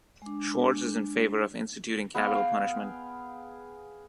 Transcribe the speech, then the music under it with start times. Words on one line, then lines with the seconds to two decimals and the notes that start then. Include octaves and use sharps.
Schwartz is in favor of instituting capital punishment.
0.22 G#3 D4
2.15 B3 G#4 F5 G5